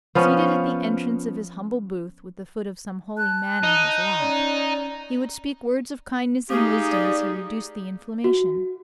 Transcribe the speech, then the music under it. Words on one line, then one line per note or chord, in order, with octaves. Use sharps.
Seated at the entrance of his humble booth, with the foot of some holy man in his lap, he would speak words of kindness and wisdom as he reduced the inflammation.
F3 B3 C#4
A5 F#6
D#4
C#4 D5
A3 D#4 G4 G#4 F5 D#6
D5
F#4